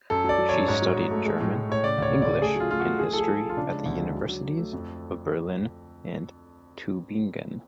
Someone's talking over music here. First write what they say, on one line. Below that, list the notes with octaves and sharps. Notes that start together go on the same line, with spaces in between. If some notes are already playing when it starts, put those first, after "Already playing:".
She studied German, English and History at the Universities of Berlin and Tübingen.
F#2 A4
F#3 D5
F#3
F#2 C#5
G#2 C#5
F#3
G#2
A3
G#3
A2
A2
A2 C#5
C#3 D5
D2 C#5
C#3
D5
C#3
A3 G#4
F#3 F4
A3 F4
F#4
A3
F3 G#4
F3 A4
G#4
F3
F3
F4
C#3 D4
G#3
D2
G#3
F#3
F#3
F#3
A3
F2